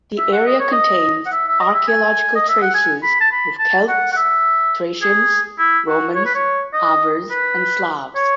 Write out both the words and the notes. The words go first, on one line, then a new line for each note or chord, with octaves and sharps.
The area contains archaeological traces of Celts, Thracians, Romans, Avars and Slavs.
E5
F#5
D#5
C#5
D#5
F#5
E5
E5
D#5
E5
G#5
D#5
E5
F#5
G#5
B5
A5
B5
A5
F#5
F#5
E5
G#4
E4
F#4
C#5
B4
C#5
D#5
B4
C#5